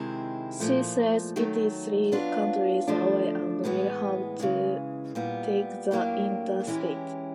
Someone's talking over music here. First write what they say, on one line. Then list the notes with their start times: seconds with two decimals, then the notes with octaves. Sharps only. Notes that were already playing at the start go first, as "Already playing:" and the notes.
She says it is three counties away and will have to take the interstate.
Already playing: C3 D#3 G#3 C4 E4
0.60 A#2 F3 A3
1.36 D#3 F#3 A3
2.12 F#3 B3 D4 F4
2.87 D3 F3 A3 D4
3.64 A2 E3 G#3 B3
4.40 C#3 E3 G#3
5.15 A#2 G3 B3
5.91 A2 F#3 A#3 D4 G4
6.67 E3 G#3 C#4 E4 G4